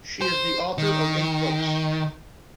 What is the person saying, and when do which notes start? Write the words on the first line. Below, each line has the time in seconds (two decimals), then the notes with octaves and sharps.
She is the author of eight books.
0.21 C5
0.78 D#3